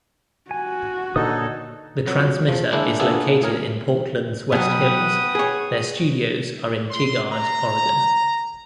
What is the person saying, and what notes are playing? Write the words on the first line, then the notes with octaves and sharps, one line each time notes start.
The transmitter is located in Portland's west hills; their studios are in Tigard, Oregon.
F#4 G#5
A#2 D3 D#4 A4 C#5 D#6
F2 F#3
E2 F3
G#3 A#3 D4 E4
A#3 B3 D4 E4 G#4 A4
A2 G#4 A#4 G#5
B2 F#3 B4 F#5 G5 D#6
G#4 C#5
C6
A#5